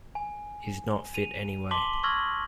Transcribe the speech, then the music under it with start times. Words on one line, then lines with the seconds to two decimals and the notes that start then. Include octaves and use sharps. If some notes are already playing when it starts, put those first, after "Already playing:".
He's not fit anyway.
0.15 G#5
1.14 D#7 F7
1.71 A5 C6 D6 B6 F#7 G7
2.03 C#6 E6 F6 G#6 A#6 F#7